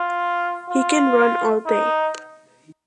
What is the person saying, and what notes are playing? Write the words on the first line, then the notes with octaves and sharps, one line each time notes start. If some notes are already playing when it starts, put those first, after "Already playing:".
He can run all day.
Already playing: F4
F4
D#4